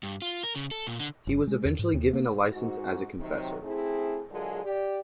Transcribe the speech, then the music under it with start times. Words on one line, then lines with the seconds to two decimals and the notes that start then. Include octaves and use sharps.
He was eventually given a license as a confessor.
0.03 G2
0.22 F4
0.43 A#4
0.56 C#3
0.71 A4
0.87 A#2
1.00 D3
1.27 G1
1.47 G#3
1.65 E2
1.79 G#2
1.94 D#2
2.13 A#3
2.52 G#2 F#4
3.19 C3 D#3 F#3
3.62 A3 C4 E4 G#4
4.31 D3 F#3 G#3 F4 G#4 A#4
4.64 G4 D5